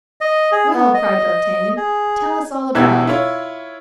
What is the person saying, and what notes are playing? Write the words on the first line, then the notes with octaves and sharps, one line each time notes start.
"Well!" cried d'Artagnan, "tell us all about it."
D#5
G#4
B3
D#5
G#4
E2 B2 E4 G4 E6 G#6
E4 F4 C#5